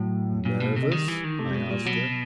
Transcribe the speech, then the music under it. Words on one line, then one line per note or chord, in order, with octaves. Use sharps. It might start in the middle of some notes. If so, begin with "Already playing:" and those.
"Nervous?" I asked her.
Already playing: A2 F#3
A#2
B2 A#3
C3 A3
G#3
D#3 G3
E3
D#3
C3 A3
G3
B2 G#3
A#2 G3
B2 F#3